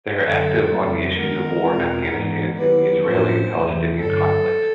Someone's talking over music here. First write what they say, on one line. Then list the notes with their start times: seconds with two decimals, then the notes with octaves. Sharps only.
They are active on the issues of War in Afghanistan and the Israeli-Palestinian conflict.
0.21 F#2 D3 F#3 A4
0.69 F2 C#3 F#3 A3
1.15 D#3 G#3 B3 A#4
1.63 E2 B2 G#3 C4 F4
2.10 G#2 E3 G#3 B3 D#4
2.57 D#3 F#3 B3 E4 G4 B4
3.04 A2 F3 A#3 D4 F4 C5
3.51 E2 C3 E3 A3
3.98 G2 D3 F#3 A4